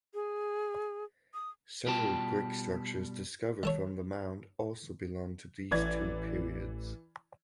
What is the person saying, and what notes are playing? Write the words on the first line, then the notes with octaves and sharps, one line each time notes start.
Several brick structures discovered from the mound also belong to these two periods.
G#4
D#6
B2 G3 F4 G5 A5
G3 A4 C#5
A1 E3 D5 G#6